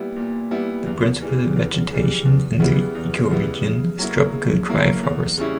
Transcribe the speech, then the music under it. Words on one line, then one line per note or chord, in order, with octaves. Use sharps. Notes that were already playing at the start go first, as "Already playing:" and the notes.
The principal vegetation in the ecoregion is tropical dry forest.
Already playing: A#2 G3 B3 E4
A#2
G3 B3 E4
E2
C#3 E3 G3
E2
C#3 E3 G3
E2
C#3 G3 B3 E4
E2
C#3 G3 B3 E4
C#3
F#3 A#3 E4
C#3
F#3 A#3 E4
E2
C#3 G3 C#4 E4